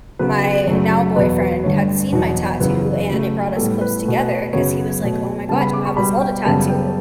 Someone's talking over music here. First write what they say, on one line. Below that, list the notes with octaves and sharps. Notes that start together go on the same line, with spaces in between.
my now-boyfriend had seen my tattoo and it brought us close together 'cause he was like, "Oh my god, you have a Zelda tattoo."
C#3 F#3 B3 B4
F#2 C#3 F#3 A3
E2 B2 F#3 B3 B4
B4
G2 D3 A3 C#5
E2 B2 F#3
F#2 C#3 E3 B3 B4
C#3 F#3 A3
A2 G3 B3 A4
B4
B2 A3
F#2 C#3 F#3 B3 C#5
B2 A3
C#3 G3 B3 A5
B5
D6
C#6
B2 G3 B3 B5
G5
F#2 C#3 G3 B3 A5
G5